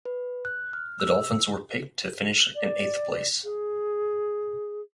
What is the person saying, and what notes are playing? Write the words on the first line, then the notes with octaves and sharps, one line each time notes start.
The Dolphins were picked to finish in eighth place.
B4
F#6
F6
E6
D5
G#4